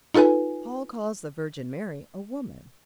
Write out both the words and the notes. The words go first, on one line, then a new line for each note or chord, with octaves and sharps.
Paul calls the Virgin Mary a woman.
D#4 F4 A4 B4 G#5